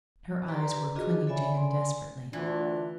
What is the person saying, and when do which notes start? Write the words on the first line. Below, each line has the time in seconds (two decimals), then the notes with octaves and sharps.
Her eyes were clinging to him desperately.
0.48 G4 B4 D5 A#5 C6
0.95 D4 F4 F#4 G#4 D#5
1.27 A4 C#5 D5 E5 G#5 B5
1.54 D5 G#5 C6
2.33 D2 E3 D4 F4